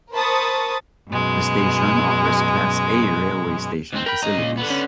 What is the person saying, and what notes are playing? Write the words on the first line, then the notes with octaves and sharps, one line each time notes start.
The station offers Class A railway station facilities.
A#4 C5 A5 B5 C#6 D#6
F#2 B2 G#3
G#2 C4
A#4 G5 B5
C#2 D#5 A#5
A#2
D3 B3
C#4